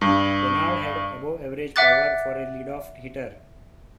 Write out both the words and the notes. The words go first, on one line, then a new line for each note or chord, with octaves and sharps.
Benard had above-average power for a leadoff hitter.
G2
E5 F#5 D6 F#6 A6